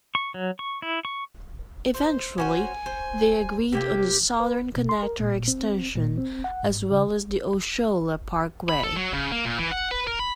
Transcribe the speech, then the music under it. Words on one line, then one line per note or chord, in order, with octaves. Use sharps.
Eventually, they agreed on the Southern Connector Extension, as well as the Osceola Parkway.
C#6
F#3
C#6
E4
C#6
C5
C#4 F#4 C5 G#5
C5
C3 A#3 G4 G5
B4
B2
C6
A#4
A#2
C4
A#2
C4
F#5
G#2
C#3
B5
A4
F#3
C#3
A#3
A#2
E3
F#5
B4
A#4
B5